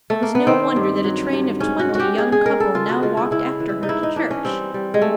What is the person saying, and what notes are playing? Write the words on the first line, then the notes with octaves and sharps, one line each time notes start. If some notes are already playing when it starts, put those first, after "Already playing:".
It was no wonder that a train of twenty young couple now walked after her to church.
A3
A#3
B3
D#3 C4
G2
F#3
G2
G#2 C#4
F#4
G#3
F#4 G4
G#3 G#4
G#4
G#3 A#4
A4
C#3 F4
F#4
G#3 F4
E4
C#3 E4
E3
E4
D#4
G#2 E4
D#4
E3 D4
C#4
G3 C4
G3
G#3
A3